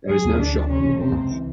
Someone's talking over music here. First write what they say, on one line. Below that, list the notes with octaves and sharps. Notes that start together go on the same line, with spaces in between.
There is no shop in the village.
F#3 G#4
D#2
D2 D4
F3
C3 C#4
E1
C3 C4
C#2
E3